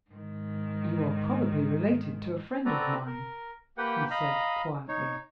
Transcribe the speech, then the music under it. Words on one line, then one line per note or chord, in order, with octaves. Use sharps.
"You are probably related to a friend of mine?" he said, quietly.
G#2 D#3
C4 F#4 A4 B4 D5 A#5
A#4
A#3 G4 B4 F#5 G5
D#5 F5 A#5 B5
D#4 C#5